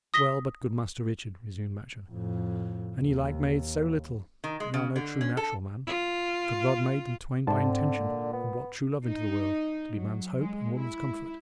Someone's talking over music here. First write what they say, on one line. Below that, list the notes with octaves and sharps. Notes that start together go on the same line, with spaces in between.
"Well, but, good Master Richard," resumed Matcham, "an ye like maids so little, y' are no true natural man; for God made them twain by intention, and brought true love into the world, to be man's hope and woman's comfort."
D#6 A#6 B6 G7
F2 A2
D#2
D#3
G#3
C#3
D3
C#4
A4
F4
G#2 D3 C4 A5
A#2
B3
D#4
F#3
G#3
E4